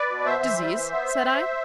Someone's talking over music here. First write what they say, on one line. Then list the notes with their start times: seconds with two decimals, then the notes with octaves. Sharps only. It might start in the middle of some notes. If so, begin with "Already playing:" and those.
"Disease?" said I.
Already playing: B4 D5
0.09 B2
0.25 B3 C5 E5
0.43 E3
0.59 G3
0.75 E3
0.92 B3